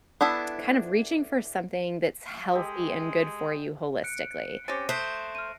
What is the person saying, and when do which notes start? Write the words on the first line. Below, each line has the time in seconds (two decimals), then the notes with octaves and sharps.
kind of reaching for something that's healthy and good for you holistically,
0.21 B3 D4 E4 A4
2.52 G#3 G4 A4 D#5
4.04 F#6 C#7 D7
4.68 C4 C#4 G4 A6 A#6 D#7
4.89 A3 C5 D#6 F#6 B6 C7 D7
5.35 F6 D#7